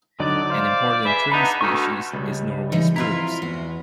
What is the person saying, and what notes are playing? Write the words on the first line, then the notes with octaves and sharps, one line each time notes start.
An important tree species is Norway Spruce.
D3 F#3 D#4 D5
C5 F5
G#4 B4 E5
B3 D4 D#4 F#5 A#5 B5
D2 F#5 C#6
C#2 G3
E3 D#4
F2 E4 F4 E5 A#5
E2 F#4